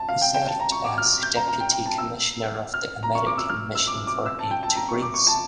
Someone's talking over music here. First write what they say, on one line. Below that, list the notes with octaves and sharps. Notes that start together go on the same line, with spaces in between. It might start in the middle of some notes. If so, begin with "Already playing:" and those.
He served as Deputy Commissioner of the American Mission for Aid to Greece.
Already playing: A5
F5
G5
G5
A5
A#5
C#6
D6
F6
G6
A#5
A#5
G5
G5
A5
E6
F6
A#5
C#6
D6
E6
F6
E6
D6
D6
E6
A5
G5
A5
A#5
C#6
D6
C#6
A5